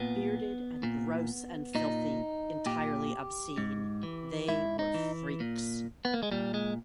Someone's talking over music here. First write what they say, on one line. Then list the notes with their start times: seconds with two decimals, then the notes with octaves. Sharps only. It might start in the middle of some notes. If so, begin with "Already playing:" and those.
'Bearded and gross and filthy, entirely obscene, they...were freaks.
Already playing: A#2 B3
0.83 A#2
1.75 A#2 D#4
2.66 A#2 G4
3.58 G#2
4.03 E3
4.49 G#2 E4
4.79 D#4
4.94 E3
5.40 A#2
6.05 B3
6.14 A#3
6.23 G#3
6.32 A#2 G3
6.54 G#3